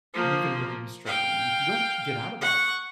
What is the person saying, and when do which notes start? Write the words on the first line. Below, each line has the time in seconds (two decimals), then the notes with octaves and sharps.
and you can really be struggling and if you don't get out of that,
0.14 F3 A#3
1.05 F5 G5
2.41 F#5 C#6